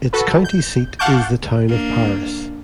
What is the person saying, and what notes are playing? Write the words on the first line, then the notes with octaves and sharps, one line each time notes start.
Its county seat is the town of Paris.
F#4 A4 B4
G6
F5 F#5 A5 C#6 D6 G6
A#3 D4